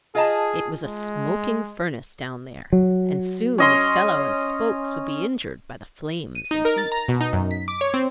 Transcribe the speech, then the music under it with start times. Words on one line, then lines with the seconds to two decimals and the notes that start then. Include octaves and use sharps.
It was a smoking furnace down there, and soon the felloe and spokes would be injured by the flames and heat.
0.15 F4 G#4 D#5 A5
0.84 G#3
2.73 F#3
3.58 C#4 D#5 C6
6.35 D#7
6.51 D#4
6.65 A#4
6.78 A6
6.92 A#5
7.08 B2
7.21 D#4
7.33 F#2
7.51 B6
7.68 D6
7.81 C#5
7.94 C4